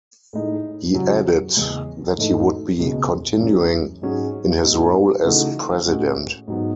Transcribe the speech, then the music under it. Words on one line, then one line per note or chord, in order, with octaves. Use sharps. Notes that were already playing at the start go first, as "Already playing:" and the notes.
He added that he would be continuing in his role as president.
A2 G#3 D#4
F#2 C#3 F#3
E2 C#3 G#3 C#4
G#2 E3 A3 D#4
C#2 B2 G#3 C#4
F#2 E3 G#3
G#2 F#3 C#4 G#4
A2 F#3 B3 D#4
C#3 E3 A3 D#4 F#4
A2 G#3 C#4 F#4
G#2 F#3 B3